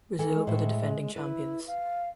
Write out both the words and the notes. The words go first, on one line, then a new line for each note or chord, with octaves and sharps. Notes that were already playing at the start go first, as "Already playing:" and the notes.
Brazil were the defending champions.
E3 A4
G#3
A2 C5 E5
E4 B4
F5